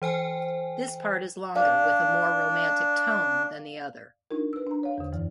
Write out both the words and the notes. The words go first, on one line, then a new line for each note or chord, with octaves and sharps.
This part is longer with a more romantic tone than the other.
E3 C5 G5 G#5
D4 D5 F5
D4 D#4 F4 A#4
B4 E6
D4 A#5
C#5 F5
E2 D3
F#2 E3